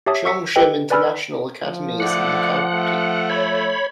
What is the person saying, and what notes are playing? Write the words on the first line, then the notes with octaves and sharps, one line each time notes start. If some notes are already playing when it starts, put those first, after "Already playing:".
Cheongshim International Academy is in the county.
G4 C#5 E5 A5 D#6
C#6 E6 B6 C#7
G4 A4 B4 D#5 G5
B4 D5 G#5 B5 E6 F6
F3
A3 D5 F#5
A3
C#5 B5